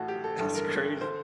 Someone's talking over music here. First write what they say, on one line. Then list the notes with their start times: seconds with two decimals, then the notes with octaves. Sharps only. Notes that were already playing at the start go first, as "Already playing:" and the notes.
That's crazy.
Already playing: A1 A2 F#4 A4
0.08 G4
0.24 A4
0.39 A1 G2 D3 A4
0.55 A#4
1.01 D3 C5